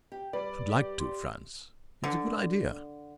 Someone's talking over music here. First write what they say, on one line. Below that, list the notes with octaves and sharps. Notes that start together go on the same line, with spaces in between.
I should like to, Frantz; it's a good idea.
G4
G3 B4 D5
G4
C6
D3